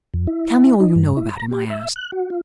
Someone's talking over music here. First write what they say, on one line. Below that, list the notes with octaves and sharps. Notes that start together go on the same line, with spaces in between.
"Tell me all you know about him?" I asked.
F2
E4
D#4
G2
E4
A#5
G4
E5
F#6
F#4
F4